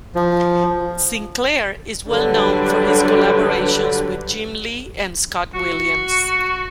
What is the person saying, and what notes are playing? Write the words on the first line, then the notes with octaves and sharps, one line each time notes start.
Sinclair is well known for his collaborations with Jim Lee and Scott Williams.
F3
D3 F#3 G3 D4 B4
F#4